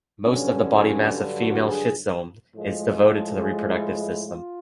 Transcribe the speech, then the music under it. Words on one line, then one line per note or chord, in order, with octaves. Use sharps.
Most of the body mass of female schistosomes is devoted to the reproductive system.
G2 D3 F#3 C#4
F#4
G#4
A2 F3 G#3
A4
G#4
E4
E4
F4